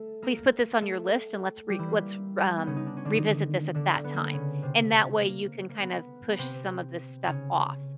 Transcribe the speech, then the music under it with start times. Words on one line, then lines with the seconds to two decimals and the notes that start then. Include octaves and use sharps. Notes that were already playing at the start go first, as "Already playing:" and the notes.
please put this on your list, and let's re let's, r um, revisit this at that time," and that way, you can kind of push some of this stuff off,
Already playing: A3 A4
0.22 A#3 A#4
0.81 A3 A4
1.69 G3 G4
1.79 E3 E4
1.89 A#3
2.57 B3
2.67 C#3 C#4
2.76 D#4
2.86 D4
2.97 C#4
3.05 D3 D4
3.15 D#3 D#4
3.75 D3 D4
4.04 B3
4.14 A#3
4.24 B3
4.33 C#3 C#4
4.62 C3 C4
5.21 A#3
5.69 A#3
5.80 B3
6.29 B3
6.38 C3 C4
7.26 C#3 C#4